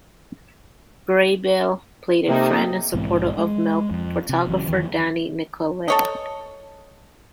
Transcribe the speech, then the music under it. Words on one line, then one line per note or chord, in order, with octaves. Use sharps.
Grabeel played a friend and supporter of Milk, photographer Danny Nicoletta.
C3 A#3 D#4 A4
B1 G#2 E3 C4
G#3
F2
C3
F#1 E3 F#3 C#4
F2 C3 D#3 E3
A4 C#5 D#5